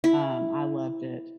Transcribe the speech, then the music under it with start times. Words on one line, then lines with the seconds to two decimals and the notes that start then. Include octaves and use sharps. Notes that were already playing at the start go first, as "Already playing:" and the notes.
Um, I loved it.
0.04 E4